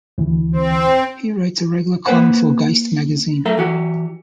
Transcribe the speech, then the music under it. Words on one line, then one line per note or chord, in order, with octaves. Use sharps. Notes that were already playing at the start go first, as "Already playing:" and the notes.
He writes a regular column for "Geist" magazine.
D2 E3
C4
A#3 B4 C5 F#5
F#2 A3 A4 E5 F5 A#5
E3 F#4 G4